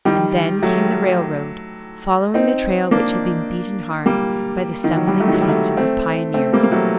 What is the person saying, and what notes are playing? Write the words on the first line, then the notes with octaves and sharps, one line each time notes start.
And then came the railroad, following the trail which had been beaten hard by the stumbling feet of pioneers.
D#3 G3
F#3 A3
C4 D#4
A#3 D4
G3 A#3
D#3
F#3
G3
F#3 A3
D#3
F#3
G3
F#3 A3
A3 C4
A3 C4
G3 A#3
A#3
F#3 A3